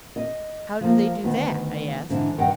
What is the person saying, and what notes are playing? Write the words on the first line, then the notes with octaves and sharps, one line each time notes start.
"How do they do that?" I asked.
D#5
F3 A#3
D2 D#3 B3
G#2 D3 E3
G2 D#3 F#5 G5